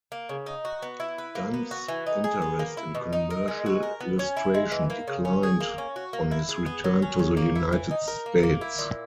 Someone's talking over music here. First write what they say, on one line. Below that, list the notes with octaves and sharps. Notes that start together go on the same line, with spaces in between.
Dunn's interest in commercial illustration declined on his return to the United States.
A#3
C#3
D#4
F#4
B3
E4
B4
A#3
B3
F#4
E3
D#4
G#4
B3
A#3
E4
B2
D#4
A#4
G#3
F#4
A#4
B3
C#4
E4
G#3
E3
A#3
C#3
C#4
G#4
A#3
C#4
F#4
A#3
E4
G#4
B3
F#3
C#4
C#3
A#3
E4
E3
D#4
A#4
A#3
A#3
E4
A#2